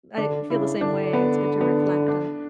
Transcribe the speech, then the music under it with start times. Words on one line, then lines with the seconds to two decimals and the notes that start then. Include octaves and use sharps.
I feel the same way, it's good to reflect on,
0.18 D3 D4
0.50 C#3 E4
0.81 D3 D4
1.13 B3
1.61 B3
2.08 D4